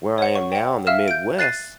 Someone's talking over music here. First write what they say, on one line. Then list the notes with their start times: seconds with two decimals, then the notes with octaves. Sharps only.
where I am now in the Midwest,
0.18 C#5 F#5
0.35 C#6
0.52 F#5 G5
0.87 E5 F5 E6 F6 E7
1.08 G6 D7
1.39 F#6 A6 C7 D#7